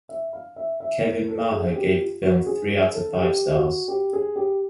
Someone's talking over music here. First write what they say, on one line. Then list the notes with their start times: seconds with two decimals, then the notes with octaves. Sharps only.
Kevin Maher gave the film three out of five stars.
0.09 E5
0.33 F5
0.56 E5
0.80 E5
1.04 A#4
1.28 A4
1.52 G#4
1.75 G4
1.99 F4
2.22 F#4
2.46 G#4
2.69 G#4
2.94 A4
3.18 G4
3.53 F#4
3.88 G4
4.13 G#4
4.36 G4